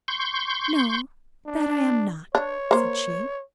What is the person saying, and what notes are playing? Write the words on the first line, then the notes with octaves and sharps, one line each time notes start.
"No, that I am not," said she.
C6 C#6 G6
D4
D4 C#5
A#3 C5